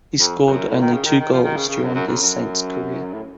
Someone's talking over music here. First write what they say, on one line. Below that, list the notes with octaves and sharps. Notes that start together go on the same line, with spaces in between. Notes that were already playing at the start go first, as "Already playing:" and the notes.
He scored only two goals during his Saints career.
F2
F2
F#2
A2
D#3
C#3
D#3
D#3
F3
D#3
C#3
C#3
F#2
F#2
F2
F#2
A2